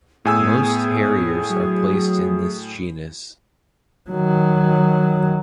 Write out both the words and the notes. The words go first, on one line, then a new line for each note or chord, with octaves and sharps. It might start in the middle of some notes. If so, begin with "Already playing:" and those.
Most harriers are placed in this genus.
A2 B3 G#4 G#5 E6
F#3
D#3 F#3